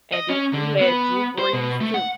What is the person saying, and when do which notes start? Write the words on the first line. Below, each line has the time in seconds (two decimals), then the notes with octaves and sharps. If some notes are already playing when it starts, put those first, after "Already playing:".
and then we had Drew Brees, too.
0.13 D#5
0.29 C#4
0.53 D3
0.81 B3
1.39 C5
1.53 B2
1.81 A3
1.94 F#5